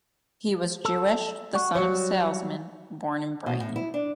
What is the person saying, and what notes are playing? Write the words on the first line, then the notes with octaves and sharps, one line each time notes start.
He was Jewish, the son of a salesman, born in Brighton.
A4
F#4
F#3 G3 F#4 C#5
B2
A2
E4
D4